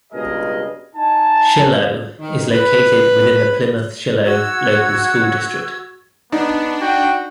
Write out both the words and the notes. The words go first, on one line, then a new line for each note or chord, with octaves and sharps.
Shiloh is located within the Plymouth-Shiloh Local School District.
C#2 G2 B2 G#4 A#4 D#5
D#4 G#5 A5
D#3
B4
F#4 E6 G#6
B3 D4 D#4
F#4 G5